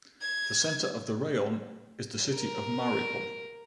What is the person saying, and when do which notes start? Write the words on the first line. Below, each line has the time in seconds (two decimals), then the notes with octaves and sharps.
The center of the raion is the city of Mariupol.
0.21 G#6
2.34 A#4